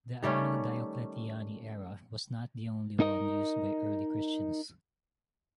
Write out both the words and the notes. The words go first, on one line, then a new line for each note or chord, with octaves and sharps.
The anno Diocletiani era was not the only one used by early Christians.
D#3 G3 A3 C#4
D#4 A#4 D#5